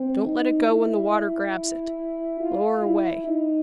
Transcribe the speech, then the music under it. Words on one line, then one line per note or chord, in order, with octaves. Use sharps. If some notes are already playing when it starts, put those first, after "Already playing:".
Don't let it go when the water grabs it. Lower away.
Already playing: C4
D#4
E4
F4
E4
D#4